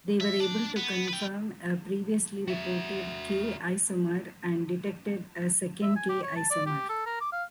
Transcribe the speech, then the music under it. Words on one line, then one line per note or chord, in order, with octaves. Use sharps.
They were able to confirm a previously reported K-isomer and detected a second K-isomer.
E5
D4
B3
B4 G5
F#4 E5
E5
G#5
G4
C#5
A5
D5
G4
A4
A#4
D6
F5